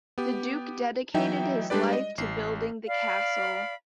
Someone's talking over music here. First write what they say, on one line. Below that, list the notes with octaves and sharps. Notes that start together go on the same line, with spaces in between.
The Duke dedicated his life to building the castle.
B3 G4
E3 F#3 D#4 E5 G5
G3 G#3 D4 G4 B4 D5
D#5
A1 C7
D5 F5 B5